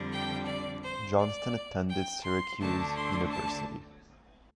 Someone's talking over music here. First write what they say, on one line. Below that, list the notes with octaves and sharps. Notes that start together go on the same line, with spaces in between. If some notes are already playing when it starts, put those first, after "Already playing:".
Johnston attended Syracuse University.
Already playing: F2 D3 G3 D4
G5
D5
C5
D5
G5
C6
D2 D3 A3 D4 A5
C6
A5